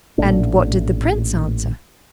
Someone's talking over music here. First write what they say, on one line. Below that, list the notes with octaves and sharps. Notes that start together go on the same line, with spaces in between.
'And what did the Prince answer?'
A1 A#2 A3 D4